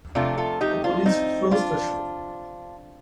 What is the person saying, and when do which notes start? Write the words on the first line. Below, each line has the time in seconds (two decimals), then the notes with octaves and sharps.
The police closed the show.
0.15 C3 F3 A3 D4 F4
0.38 F4 A4
0.61 D#4 G4
0.84 D4 F4
1.06 C4 D#4
1.51 D4 F4